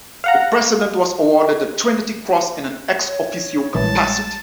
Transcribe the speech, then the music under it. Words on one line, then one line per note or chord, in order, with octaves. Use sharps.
The President was awarded the Trinity Cross in an "ex officio" capacity.
F5 F#5 A#5
C#5
A#1 E3 G3 G#3 A5